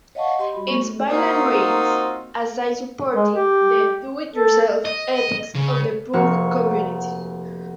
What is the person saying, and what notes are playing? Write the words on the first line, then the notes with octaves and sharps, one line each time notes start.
Its byline reads "A zine supporting the Do-It-Yourself ethics of the punk community".
C#5 D#5 F5 F#5 A5 C#6
G4 C#5 D#5 C6
G3 F#4 B5
A3 B3 C5 C#6
A#3 C4 D#4 F4 F#4
G#3
G4
A4
D#5
C#3
F1 A#3 F#4 C#6